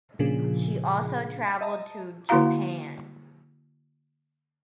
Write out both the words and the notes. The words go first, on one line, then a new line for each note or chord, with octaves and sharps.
She also travelled to Japan.
A#2 C#3 F3 D4 G#4
D#5 E5 A5 A#5
D3 A#3 E4 F#4 F5 A#5